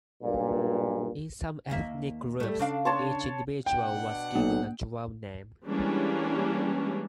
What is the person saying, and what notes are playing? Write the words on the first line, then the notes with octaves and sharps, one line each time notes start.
In some ethnic groups, each individual was given a "drum name".
B1 G2 A#2
D#2 A#3 E5
G3 A3
C#3 D4 F5
C#5 A5 C6
B2 D4 F#5 G5
B1 A#3
E3 G3 G#3 A#3 C#4 D4